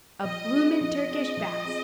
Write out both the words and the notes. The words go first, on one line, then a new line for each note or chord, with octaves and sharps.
A bloomin' Turkish baths!
F3 D#5
C4 F4 G#4
F3 D#5
C4 F4 G#4
F3
C4 F4 G#4